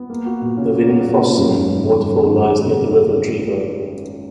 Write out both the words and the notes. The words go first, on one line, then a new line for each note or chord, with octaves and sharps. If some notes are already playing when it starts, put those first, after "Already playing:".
The Vinnufossen waterfall lies near the river Driva.
Already playing: B3
A#3
F#4
A#2
C#4
A#3
F#4
A#2
C#4
F#2
G#1
G#1
D#3
F#2
G#1
G#1